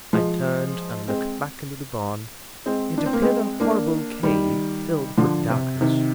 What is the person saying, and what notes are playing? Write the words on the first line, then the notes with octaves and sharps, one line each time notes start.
I turned and looked back into the barn. It appeared a horrible cave filled with darkness.
F3 G#3
G#3 C4
G#3 C4
D4
C4
A#3
G#3 C4
A#3 D4
D#3 G3
D3 F3
C3
C3 D#3